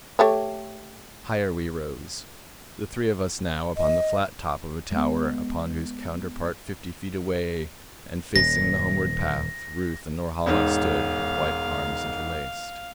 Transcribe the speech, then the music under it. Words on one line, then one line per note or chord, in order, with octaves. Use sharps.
Higher we rose; the three of us now upon the flat top of a tower upon whose counterpart fifty feet away and facing the homeward path, Ruth and Norhala stood with white arms interlaced.
A3 G4 C#5
D#5
G#3 B3
D#1 A#6
E1 G#2 F5